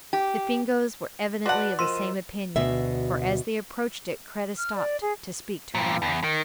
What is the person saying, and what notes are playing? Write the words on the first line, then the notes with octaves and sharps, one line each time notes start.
The Fingoes were evidently of the same opinion, for as they approached it Kreta stopped to speak to Ronald.
G4
F#4 B4 D5 F#5 A5 C6
F3 A#4 D#5 C6 E6 D#7 E7
D2 B2 E5
F6
D5
G#4
G2 A#2
E2
D#3